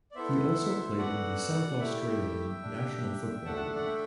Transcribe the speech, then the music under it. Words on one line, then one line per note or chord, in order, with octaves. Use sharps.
He also played in the South Australian National Football League.
D5
B3 E4 A4 C5 E5
B3 F#4 A4 D5 F#5
A3 E4 G4 E5 G5
D4 G4
A3 D4 A4 F#5 A5
F#5 A5
D5 F#5
E5 G5